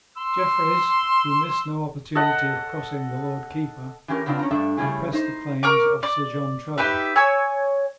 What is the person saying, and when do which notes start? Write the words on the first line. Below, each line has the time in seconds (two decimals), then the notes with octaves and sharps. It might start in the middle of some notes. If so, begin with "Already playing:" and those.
Jeffreys, who missed no opportunity of crossing the Lord Keeper, had pressed the claims of Sir John Trevor.
0.17 C6 E6
2.15 A4 D#5 F#5
4.08 E3 C#4 G4 A#4
4.26 C#3 B3 C4 D4 F4
4.39 C#4 A#5
4.51 G2 A3 D4 E5
4.77 C#3 G3 A3 C#4 E4 G#4
5.13 D#4 C5
5.63 A#4 C#6 D6
6.03 D5
6.78 D#4 G4 B4 E5
7.16 C#5 G#5 E6